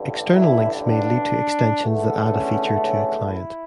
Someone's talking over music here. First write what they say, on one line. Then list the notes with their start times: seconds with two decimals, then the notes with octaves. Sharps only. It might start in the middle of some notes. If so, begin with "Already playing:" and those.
External links may lead to extensions that add a feature to a client.
Already playing: A1 G2 D3
0.35 E4
0.84 D4
1.82 E2 D3 A3
2.30 C#4
2.79 C#4
3.28 E4